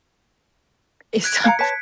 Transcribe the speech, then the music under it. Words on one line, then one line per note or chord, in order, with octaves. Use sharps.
Eh, some
F#6 G#6 D7
F5 A5 A#5 G#6 C#7
B4 C#5 A5 B6